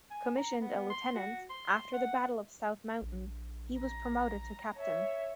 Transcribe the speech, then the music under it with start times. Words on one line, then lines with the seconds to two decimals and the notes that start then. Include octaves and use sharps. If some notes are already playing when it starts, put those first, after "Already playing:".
Commissioned a lieutenant, after the Battle of South Mountain he was promoted to captain.
0.11 G#5
0.37 A#5
0.61 B3
0.90 C6
1.15 F#4
1.50 C6
1.93 F#5
3.02 A#1
3.79 A#5
4.76 C#5 E5